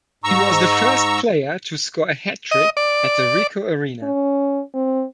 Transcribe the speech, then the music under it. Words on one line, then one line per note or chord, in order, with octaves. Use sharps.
He was the first player to score a hat-trick at the Ricoh Arena.
G#2 A#5 C#6 E6
D#5
D5
C#4
C4